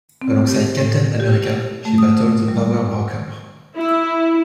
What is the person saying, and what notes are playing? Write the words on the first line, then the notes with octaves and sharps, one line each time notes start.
Alongside Captain America, she battled the Power Broker.
C4
G4
A2
G4
A3
D#6
G3
E4